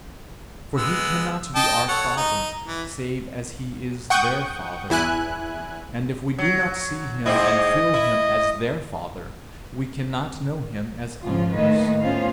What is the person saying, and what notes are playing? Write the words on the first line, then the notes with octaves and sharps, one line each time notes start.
For he cannot be our father save as he is their father; and if we do not see him and feel him as their father, we cannot know him as ours.
G#3 B3 E6
D#5 G5 A5
A4 C#5 F#5
D#4
E3
F#5 G5 C#6 D#6 G6
E2 E4 G#5 F#6
F#3
G#2 C4 E4 D#5
E4
G#2 F3 C#4 F4
A2 D#3 A3 A#3 B4 D#5
A2 B3 C#4 F4 C5 F5